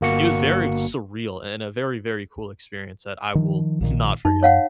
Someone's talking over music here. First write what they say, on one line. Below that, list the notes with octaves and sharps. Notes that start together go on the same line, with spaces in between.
it was very surreal and a very, very cool experience that I will not forget.
G1 A#3 F#4 C#7
D#3 F3
A#1 A#2 D#3
F#2 D#4
C#5 F5 F#5